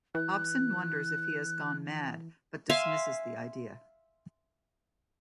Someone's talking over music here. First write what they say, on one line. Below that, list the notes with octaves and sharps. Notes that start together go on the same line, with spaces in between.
Hobson wonders if he has gone mad, but dismisses the idea.
E3 F#6
E5 F5 G#5 C6